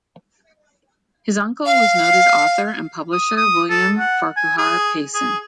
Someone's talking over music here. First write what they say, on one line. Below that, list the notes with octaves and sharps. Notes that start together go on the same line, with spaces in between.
His uncle was noted author and publisher William Farquhar Payson.
F5
D#6
D#6
A4
F#5
G#5
G#4
G#4